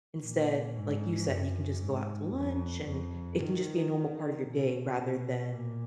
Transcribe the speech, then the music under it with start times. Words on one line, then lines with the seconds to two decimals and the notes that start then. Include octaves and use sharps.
Instead, like you said, you can just go out to lunch, and, it can just be a normal part of your day rather than
0.21 A#2
0.75 G#2
1.27 F#2
1.81 G#2
2.35 F2
2.87 F2
3.40 D#3
4.47 B2
5.00 B2
5.53 A#2